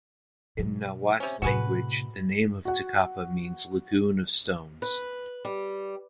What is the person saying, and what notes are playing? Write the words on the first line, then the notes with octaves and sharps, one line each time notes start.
In nahuat language the name of Tecapa means Lagoon of stones.
B2 F#3
C3 C#4
A2 C3 F#4 G#4 B4
F#4 F#5
B4
G3